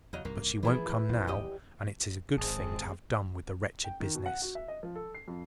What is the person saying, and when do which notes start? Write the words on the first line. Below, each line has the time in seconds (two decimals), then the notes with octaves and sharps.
But she won't come now, and it is a good thing to have done with the wretched business.
0.13 E2 C#3 F#3 D#5
0.25 C2 G#2 A#3
0.63 E3 F3 A3 B3 E4 G#4
1.09 D#1 B1
1.27 E2 G4 D#5
2.37 D1 G#1 G#3 C4 G#4 A5
3.84 G5
4.00 D#3
4.14 B2
4.26 F#5
4.42 F#4
4.55 E5
4.68 D#5
4.83 F3
4.96 A4
5.15 C7
5.28 F2